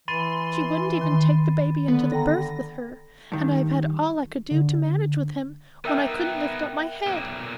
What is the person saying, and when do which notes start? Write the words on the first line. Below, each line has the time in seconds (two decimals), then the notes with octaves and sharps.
She wouldn't even take the baby into the berth with her; and I have had all I could do to manage with him, when I couldn't lift up my head.
0.08 E3 B5 C6 A6 D#7
1.01 D#3
1.88 D3 B3
2.12 A4 G5 A#5 A#6
3.32 G2 D#3
4.51 D3
5.85 B3 D#4 A#4 E5 G5
7.07 B1 A#2